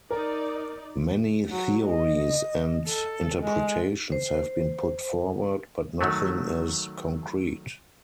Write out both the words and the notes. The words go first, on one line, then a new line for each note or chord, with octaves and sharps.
Many theories and interpretations have been put forward, but nothing is concrete.
D#4 A#4 D5
F#3
D#5
A4
G#3
C5
D#3 F#3 A3